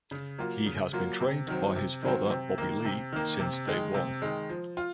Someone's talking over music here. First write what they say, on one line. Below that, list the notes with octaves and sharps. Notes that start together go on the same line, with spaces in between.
He has been trained by his father Bobby Lee "since day one".
C#3
F#3 A#3 F4
C#3
F#3 A#3 F4
C3
D#3 F#3 C4
C3
D#3 F#3 C4
C3
D#3 A#3
C3
D#3 A#3
C3
D#3 G#3
C3
D#3 G#3
F3
F4